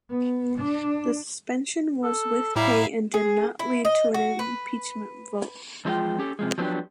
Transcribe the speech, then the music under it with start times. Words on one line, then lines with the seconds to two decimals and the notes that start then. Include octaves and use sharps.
The suspension was with pay and did not lead to an impeachment vote.
0.10 B3
0.59 D4
2.04 A4
2.56 A2 G3 E4 E5 F5 A#5
3.14 G#4
3.59 E4
3.85 D#5
4.14 F#4
4.39 B4
5.85 E2 F3 G#3 D#4 F4 G5
6.19 C#4 G4 A4
6.39 C3 F3 G#3
6.58 F3 F#3 B3 C4 D4 G4